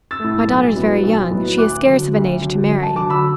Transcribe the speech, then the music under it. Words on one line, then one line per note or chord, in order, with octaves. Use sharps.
"My daughter is very young--she is scarce of an age to marry."
E6 A6
A2 A3
B1
A2 F#3 B3
B1
A2 F#3 B3
D2 D6 F#6
D3 F#3
D2
D3 F#3
F#2
A5
D3 F#3 A5 D6
B5 E6